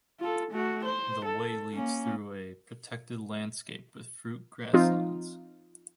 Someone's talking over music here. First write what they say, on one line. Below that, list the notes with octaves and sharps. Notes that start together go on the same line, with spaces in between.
The way leads through a protected landscape with fruit grasslands.
F4 A4
A3 F#4
C5
A4
A#3 C#4
F3 C4 D#4 F4